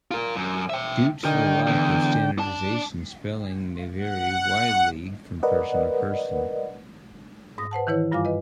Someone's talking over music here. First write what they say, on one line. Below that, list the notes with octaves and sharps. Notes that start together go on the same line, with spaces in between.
Due to the lack of standardisation, spelling may vary widely from person to person.
F4 A#4
F#2
E5 G5
D3 A#4 D#5 G5
E2
D4 A5
F#5
A#4 B4 D5 D#5 F#5
G#2 D#6 A#6
B4 C5 F#5 A5
D#3 E3 E4 B4 C#5
G2 G3 F4 F5 G#5 D6
B4 D#5